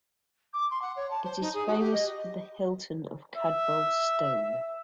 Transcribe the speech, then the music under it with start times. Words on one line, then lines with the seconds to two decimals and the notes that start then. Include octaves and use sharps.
It is famous for the Hilton of Cadboll Stone.
0.53 D6
0.70 C6
0.81 F#5
0.96 C#5
1.10 A5
1.24 C5
1.40 D#4
1.53 G#4
1.67 F#4
1.79 G4
1.93 D#5
3.36 E5